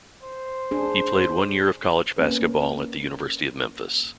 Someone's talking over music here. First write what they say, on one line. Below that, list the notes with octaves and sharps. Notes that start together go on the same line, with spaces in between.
He played one year of college basketball at the University of Memphis.
C5
D4 G#4
A#3 C#4 B4